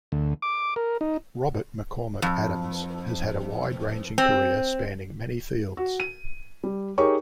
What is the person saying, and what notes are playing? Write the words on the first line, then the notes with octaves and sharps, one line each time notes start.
Robert McCormick Adams has had a wide-ranging career spanning many fields.
D2
D6
A#4
D#4
F2
C4
F#4
D#7
G3
D#4 G4 G#4 A#4 C#5 C#6